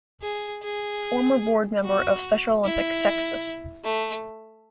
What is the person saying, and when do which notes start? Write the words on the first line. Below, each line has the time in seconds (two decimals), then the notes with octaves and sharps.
Former Board Member of Special Olympics Texas.
0.22 G#4
0.63 G#4
1.84 F#4
2.64 E4
3.84 A3